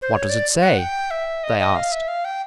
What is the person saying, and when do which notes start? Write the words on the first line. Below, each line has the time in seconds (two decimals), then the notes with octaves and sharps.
"What does it say?" they asked.
0.02 C5
0.13 C#5
0.29 D5
0.62 F#5
0.78 G5
1.11 E5
1.44 D#5
1.59 D#5
1.76 F5
1.92 E5
2.08 F5
2.25 G5